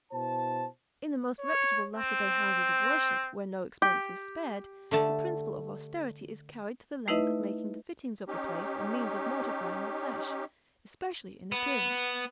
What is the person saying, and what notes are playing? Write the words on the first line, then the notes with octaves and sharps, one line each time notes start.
In the most reputable latter-day houses of worship, where no expense is spared, the principle of austerity is carried to the length of making the fittings of the place a means of mortifying the flesh, especially in appearance.
B2 E4 C5 A5
C#5
C4
G4
D3 A3 A5
A3 D#4 E4 B4 D#5 E5
C#4 D#4 G4
B3